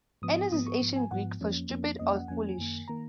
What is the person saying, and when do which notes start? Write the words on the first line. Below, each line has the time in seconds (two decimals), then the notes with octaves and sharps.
"Anous" is Ancient Greek for "stupid" or "foolish".
0.22 G#2 F3 B3 D#6
0.51 G#2 F3 B3 D#6
0.67 C#6
0.81 G#2 F3 B3
0.96 G#5
1.11 G#2 F3 B3 F#5
1.40 F2 F3 A#3 C#4
1.70 F2 F3 A#3 C#4
1.99 F2 F3 A#3 C#4 D#5
2.14 F#5
2.28 F2 F3 A#3 C#4 G#5
2.58 F#2 D#3 A#3
2.88 D#3 A#3 A#5